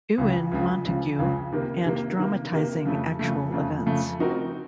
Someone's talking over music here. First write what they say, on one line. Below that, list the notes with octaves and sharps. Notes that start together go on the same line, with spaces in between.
Ewen Montagu and dramatising actual events.
C#2 C#3 F3
C#2 C#3 F3
C#2 C#3 F3
C#2 C#3 F3
C3 D#3 A#3
C3 D#3 A#3
C3 D#3 A#3
C3 D#3 A#3
F2 C#3 A3
F2 C#3 A3
F2 C#3 A3
F2 C#3 A3
F3 C4 D#4 F#4 A#4